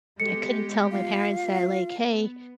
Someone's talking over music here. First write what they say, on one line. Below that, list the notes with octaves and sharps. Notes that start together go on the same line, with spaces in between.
I couldn't tell my parents that, like, "Hey,
G#3 B3 G4 A4 C#7
F4 F5
B3